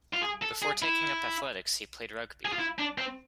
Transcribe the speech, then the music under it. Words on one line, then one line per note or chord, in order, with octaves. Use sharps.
Before taking up athletics, he played rugby.
F4
G#4
A4
G#4
E4
G#4
F4
E4
D4
C4